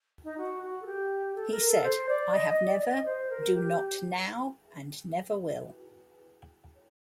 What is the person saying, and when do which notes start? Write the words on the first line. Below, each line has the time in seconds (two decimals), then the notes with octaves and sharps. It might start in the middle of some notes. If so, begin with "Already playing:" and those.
He said: I have never, do not now, and never will.
0.24 D#4
0.38 F#4
0.63 F#4
0.82 A4
0.86 G4
1.36 A4
1.51 A#4
1.68 A4
1.84 C5
2.09 D5
2.33 D#5
2.49 D#5
2.65 D5
2.81 D#5
3.06 C5
3.30 A#4
3.54 G4